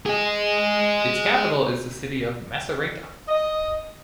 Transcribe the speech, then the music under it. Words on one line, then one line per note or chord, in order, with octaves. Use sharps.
Its capital is the city of Macerata.
G#4 D#5
D#5